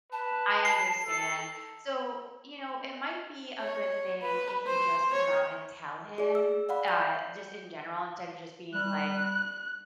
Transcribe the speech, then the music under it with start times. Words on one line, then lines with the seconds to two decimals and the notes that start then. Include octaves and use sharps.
I understand. So, you know, it might be a good thing if you just come out and tell him, uh, just in general instead of just being like
0.12 B4 A5
0.65 C7
1.06 A4
3.61 C#5
4.21 B4
4.66 C5
5.13 C#5
6.18 G#4 D5
6.35 E6
6.69 D5 F5 F#5 B5
6.88 G6
8.74 G3 F#6